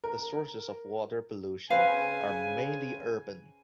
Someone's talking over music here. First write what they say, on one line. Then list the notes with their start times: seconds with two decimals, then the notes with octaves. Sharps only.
The sources of water pollution are mainly urban.
0.04 A#4
1.70 C#3 C4 B4 F5 G#5